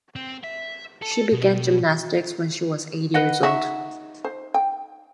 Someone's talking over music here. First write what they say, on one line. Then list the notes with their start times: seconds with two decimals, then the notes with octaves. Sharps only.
She began gymnastics when she was eight years old.
0.16 C4
0.44 E5
1.02 A4
1.32 B2
3.14 B4 D#5 F#5
3.43 D#4 F#4 E5
4.25 C5
4.54 G5